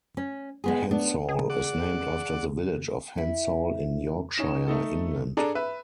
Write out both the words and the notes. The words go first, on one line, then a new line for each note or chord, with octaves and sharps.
Hensall is named after the village of Hensall in Yorkshire, England.
C#4
G#3 B3 G#4
B3 D4
G#4
D5 F#5
E4
C#4 D#4 E7
A3 D#4 A4
D4 G#4 A4 G#5 A#5
B4 E5